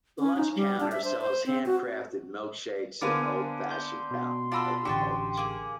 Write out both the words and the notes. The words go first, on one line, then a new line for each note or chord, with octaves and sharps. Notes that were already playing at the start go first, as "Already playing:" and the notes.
The lunch counter sells hand-crafted milk shakes and old-fashioned fountain Coca-Colas.
C#4
D#4
G3
D4
E5
C5
C5
C4
F#4
D3 A#3 B3 D4 C5 F5 G#5
C6 G6
B2
D4 F4 F#4 A4 B5 E6
A1 D3 F#4 G4 G5 A5
A#3 G#4